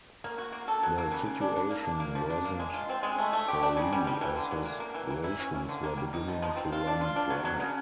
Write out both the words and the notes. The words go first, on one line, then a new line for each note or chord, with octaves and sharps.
The situation worsened for Li as his rations were beginning to run dry.
A#3
F#4
A#3
A4
F#3
A#3
C#3
C#3
D4
D4
A#3
D4
A#3
F3
D4
A#3
G#3
F4
C4
G#3
A3
A3
G4
D4
C#3
G3
G3
E3
D3
F#3
A#3
A#3
E3
E3
E4
C#4
A#3
D3
A#3
G3
D#4
F3
F3
C4
F4
D4
F4
D4
F#3
F#3
C#3